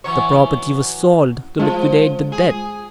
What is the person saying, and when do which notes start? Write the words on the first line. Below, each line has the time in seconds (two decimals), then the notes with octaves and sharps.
The property was sold to liquidate the debt.
0.04 E3 F#3 C#5
1.59 F3 G#3 F4
2.32 G#4